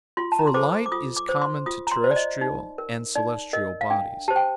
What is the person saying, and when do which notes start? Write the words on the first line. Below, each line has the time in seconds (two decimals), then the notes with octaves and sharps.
For light is common to terrestrial and celestial bodies.
0.17 F4 C6
0.32 A5
0.39 A#5
0.47 C6
0.54 A4 C5 D6
0.86 D6
0.92 F4 D#6
1.16 D6
1.29 C5
1.42 C6
1.66 F4 D#6
1.87 A#5
1.92 C6
2.04 C5
2.11 D5
2.16 D#5
2.41 D#4
2.78 A#4
3.15 D#4 D5
3.53 A#4 D#5
3.81 F5
3.90 D4 G5
4.28 G4 C5 A5
4.36 G5